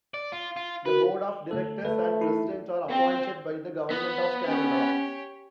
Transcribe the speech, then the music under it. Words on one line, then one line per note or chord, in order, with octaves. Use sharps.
The board of directors and president are appointed by the Government of Canada.
D5
F4
F4
F#4 A#4 B4
D3 A3 A4
A3 B4
D#4 E4
C4
B3
C#4 G4 C#5